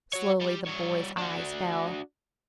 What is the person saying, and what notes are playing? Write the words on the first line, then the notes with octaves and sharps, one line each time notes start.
Slowly the boy's eyes fell.
F#4 C#5
G3 G4
G3 C#5
D4 F#4